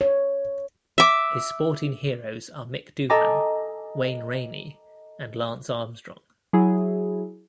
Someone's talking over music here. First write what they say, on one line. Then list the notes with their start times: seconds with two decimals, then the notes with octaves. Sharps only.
His sporting heroes are Mick Doohan, Wayne Rainey and Lance Armstrong.
0.01 C#5
0.98 E5 D6
3.10 A4 D#5 G#5 A#5 D6
6.53 F#3 E4 G#4